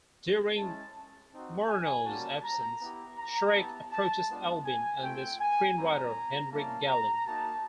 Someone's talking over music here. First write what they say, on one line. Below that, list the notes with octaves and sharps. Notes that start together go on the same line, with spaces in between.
During Murnau's absence, Schreck approaches Albin and the screenwriter, Henrik Galeen.
G#3 C#4 E4 A5
C4 D#4 F#4
G#5
G3 A#3 C#4 F#4 A5
A#5
B3 E4 G4
A#5
B3 E4 G4 A5
A5
G#3 B3 D4 F4
G#5
A3 C4 F4 G5
G#5
G3 C4 E4 A#5
G3 A#3 C#4 E4 A5
A#5
A#3 D#4 F#4 A5